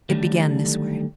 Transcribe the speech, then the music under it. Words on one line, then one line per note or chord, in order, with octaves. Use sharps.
It began this way.
D3 D#3 F#3 G3 A3